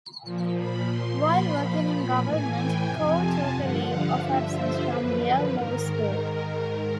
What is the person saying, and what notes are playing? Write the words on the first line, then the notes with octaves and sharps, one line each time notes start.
While working in government, Koh took a leave of absence from Yale Law School.
A#2 F3
B5
A#2 F3 C6
B5
A#2 F3 B5
A2 E3 G#5
G5
F2 C3 F3 G#5
A5
G2 D3 F3 F#5
F5
G2 D3 F3 E5
C5
F#2 D3 F3 B4
G#2 D#3 A#4